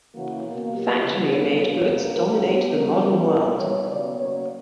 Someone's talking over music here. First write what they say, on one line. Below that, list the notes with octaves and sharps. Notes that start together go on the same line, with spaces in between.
Factory-made goods dominate the modern world.
C#3 E3 A#3 F#4
B2 A#3
A#2 F#3 A#3 G4
C#3 E3 B3
C#3 G3 B3 C#5
C#3 F#3 A#3 C#5
B2 A#3
D3 F#3 A#3 A#4
B2 G3 B3 C#5
D3 G3 B3 A#4
C#3 G3 B3 A#4
A#2 G3 A#3 A#4
B2 G3 B3 C#5
C#3 F#3 B3 D5
C#3 F#3 A#3 C#5